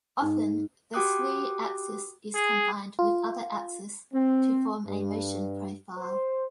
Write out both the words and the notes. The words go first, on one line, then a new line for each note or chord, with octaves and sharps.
Often the slew axis is combined with other axis to form a motion profile.
G#2
F#4 G4 G5 D6 D#6 F#6
G#4
F4
C4
G2
C5